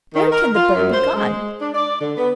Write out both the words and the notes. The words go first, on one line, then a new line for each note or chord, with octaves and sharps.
Where can the bird be gone?
D#3
A#4
F4
F#2
C5
G#3
D4
D5
D3
B3